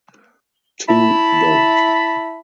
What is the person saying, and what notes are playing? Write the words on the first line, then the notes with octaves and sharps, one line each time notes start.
Two don’t.
E4 A5 B5